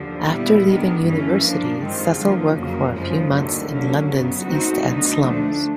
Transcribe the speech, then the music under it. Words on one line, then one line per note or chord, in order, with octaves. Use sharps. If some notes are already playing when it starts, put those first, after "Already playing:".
After leaving university, Cecil worked for a few months in London's East End slums.
Already playing: D#2 D3 F3
A#2 G3 B3 E4
D#3 G#3 B3 D4
G2 E3 A3 C#4
F3 A#3 D4
G2 D#3 G#3 C4 F4
D3 F3 A#3
F2 C#3 F#3 A#3
F#2 C#3 F3 G#3
D#2 D3 F#3 A3
D3 F#3 A#3 C#4
F#2 C#3 F#3 B3
A3 C4 D#4 F#4
D2 D3 F#3 B3 D#4
F3 A3 D4